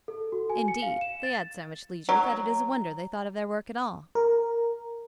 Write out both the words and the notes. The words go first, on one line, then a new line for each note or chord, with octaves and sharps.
Indeed, they had so much leisure that it is a wonder they thought of their work at all.
A4
F#4
G#5
C#7
F5
E7
A6
F#3
A#4